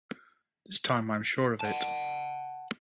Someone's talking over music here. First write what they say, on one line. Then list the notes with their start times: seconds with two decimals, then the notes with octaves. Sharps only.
This time I'm sure of it!
1.61 F#5 A5